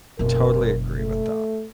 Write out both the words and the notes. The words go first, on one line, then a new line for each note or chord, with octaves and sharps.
Totally agree with that.
F#1 B2 A#4
A3